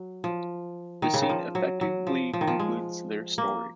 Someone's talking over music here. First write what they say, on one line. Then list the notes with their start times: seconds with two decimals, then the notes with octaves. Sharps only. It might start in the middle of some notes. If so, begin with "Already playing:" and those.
The scene effectively concludes their story.
Already playing: F#3
0.24 F3
1.02 D#3
1.14 C#3
1.22 D#3
1.29 F3
1.55 F#3
1.81 F#3
2.07 F3
2.33 F3
2.41 D#3
2.47 F3
2.59 G#3
3.38 A#3